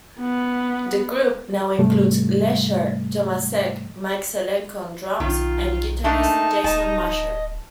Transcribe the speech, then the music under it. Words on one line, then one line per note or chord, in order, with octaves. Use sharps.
The group now includes Lescher, Tomasek, Mike Zelenko on drums, and guitarist Jason Mosher.
B3
G#2 C3 G3 A3
B1 D#3 F4
A3 A#3 D4 D#4 A5
D1 D#5 A5